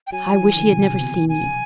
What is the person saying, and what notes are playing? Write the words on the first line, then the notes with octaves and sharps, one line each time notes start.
"I wish he had never seen you."
G5
F#3 G#5
F3
E3
D3
B2
C3
B2
G#5